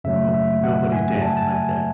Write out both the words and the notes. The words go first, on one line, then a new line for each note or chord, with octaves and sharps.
No nobody's dancing like that.
F#2 C#3 F#3 A3 E5
E5
F#5
G#5
A5
G#5
A5
G#5